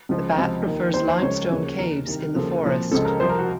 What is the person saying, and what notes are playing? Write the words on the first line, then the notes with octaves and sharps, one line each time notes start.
The bat prefers limestone caves in the forest.
C#2 C#3 F3
C#2 C3 F3
D#2 D#3
D#2 D#3 C5
C5
C#2 C#3 F3 C#5
D#2 C#3 F3
D#2 D#3 A#4
C2 C3 D#3
D#2 C#3 F3 A4
C2 A#2 F3
C#2 C#3 F3 A4
A#4
C2 C3 F3 C5
A#4
F#4